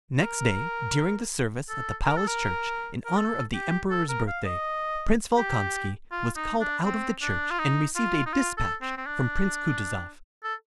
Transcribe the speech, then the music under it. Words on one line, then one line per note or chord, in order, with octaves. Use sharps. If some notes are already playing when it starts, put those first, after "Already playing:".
Next day during the service at the palace church in honor of the Emperor's birthday, Prince Volkonski was called out of the church and received a dispatch from Prince Kutuzov.
A#4
A4
A#4
A4
A#4
A#4
A4
G4
A4
A#4
F5
D#5
G4
F4
D#4
D4
C4
D4
F4
D#4
F4
D#4
F4
A4
C4
C4
D4
A4